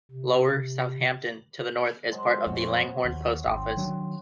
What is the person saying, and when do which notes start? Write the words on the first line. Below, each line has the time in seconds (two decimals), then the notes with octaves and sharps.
Lower Southampton to the north is part of the Langhorne Post Office.
0.11 C3
2.11 F#3 G#3 C5
2.47 F2 A#2 F#4 C5 C#5
3.04 D#2
3.46 G#1 G5 C6
3.77 D#3 F#3 D4